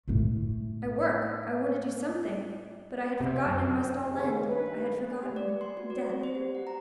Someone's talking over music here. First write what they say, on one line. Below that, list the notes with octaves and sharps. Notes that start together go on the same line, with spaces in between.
"I work, I want to do something, but I had forgotten it must all end; I had forgotten--death."
A2 A3
C3
F#2
D#2 C#3
G2 D#3 B4
G#5
G4
D5
B4
C6
F#4
D5
C4
C5
G4
F#5
A#5